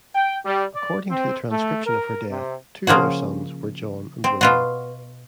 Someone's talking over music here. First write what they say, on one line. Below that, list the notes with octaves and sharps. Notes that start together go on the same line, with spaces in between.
According to the transcription of her death, two other sons were John and William.
G5
G3
D5
C4
A3
A#4
C3
C#3 F3 A#3 F#4
C4
B2 F4 F#4